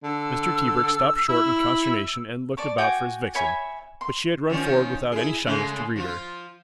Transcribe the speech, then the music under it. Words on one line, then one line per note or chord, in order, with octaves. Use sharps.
Mr. Tebrick stopped short in consternation and looked about for his vixen, but she had run forward without any shyness to greet her.
D3 E6
E4
D5 A5 C#6
F#4 G5 G#5 D6
C#5 E5 G#5 B5
C6
D#3 F3 C#4
E4 G#4
C#3 G#3 A3
F3 F4